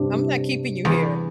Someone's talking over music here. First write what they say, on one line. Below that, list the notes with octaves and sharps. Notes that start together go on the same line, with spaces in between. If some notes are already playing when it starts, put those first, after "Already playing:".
I'm not keeping you here.
Already playing: G2 C3
E2